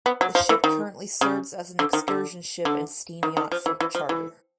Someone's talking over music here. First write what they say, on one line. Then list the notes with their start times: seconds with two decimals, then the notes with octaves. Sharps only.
The ship currently serves as an excursion ship and steam yacht for charter.
0.06 B3
0.21 F#3
0.35 F3
0.49 E3
0.64 D#3
1.21 C#3
1.79 D3
1.93 D#3
2.08 D3
2.65 D3
3.23 D#3
3.37 D#3
3.52 F3
3.66 E3
3.81 E3
3.95 F3
4.09 E3